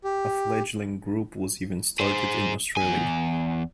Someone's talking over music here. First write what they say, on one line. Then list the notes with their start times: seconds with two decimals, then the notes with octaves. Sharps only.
A fledgling group was even started in Australia.
0.04 G4
2.00 G#4 C5
2.77 E2 G#5